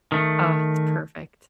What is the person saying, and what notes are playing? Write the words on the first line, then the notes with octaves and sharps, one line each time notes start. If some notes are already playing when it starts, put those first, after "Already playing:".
Oh, it's perfect.
D#3 A3